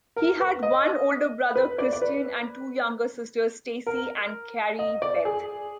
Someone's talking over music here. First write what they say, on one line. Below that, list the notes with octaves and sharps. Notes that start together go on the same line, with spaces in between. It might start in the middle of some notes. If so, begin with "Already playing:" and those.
He had one older brother, Christian, and two younger sisters, Stacy and Carrie Beth.
A#4
B4
D#5
B4
D5
D5
B4
A#4
D#5
D5
G#4